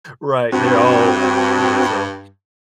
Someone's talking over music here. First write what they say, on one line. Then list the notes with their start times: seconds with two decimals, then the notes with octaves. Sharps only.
Right, they're all like Yeah, so
0.52 G2 C4 F#4